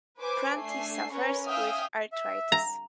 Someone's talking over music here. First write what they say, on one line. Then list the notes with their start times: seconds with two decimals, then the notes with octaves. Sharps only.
Prunty suffers with arthritis.
0.19 B4 C5 G#5 D6
0.56 A3 D4 G#5 C7
1.12 C#4 A#4 B4 C#5
1.45 E5 F5 G5 G#5 D#6 F6
2.12 E5
2.52 A#5